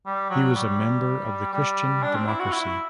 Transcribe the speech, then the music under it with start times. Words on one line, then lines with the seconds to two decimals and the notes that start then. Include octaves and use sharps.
He was a member of the Christian Democracy.
0.06 G3
0.30 F#3
0.56 G3
1.54 G3
2.03 D4
2.15 C4
2.27 E4
2.40 F#4
2.52 E4